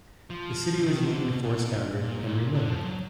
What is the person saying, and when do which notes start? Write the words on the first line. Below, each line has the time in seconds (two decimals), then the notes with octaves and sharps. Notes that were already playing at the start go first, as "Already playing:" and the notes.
The city was named for its founder, Henry Miller.
0.30 F3
0.80 D3
0.86 D#3
1.05 D3
1.23 B2
1.43 B2
1.61 A#2
1.99 A#2
2.17 G#2
2.27 A#2
2.55 D3
2.69 F3
2.83 F#3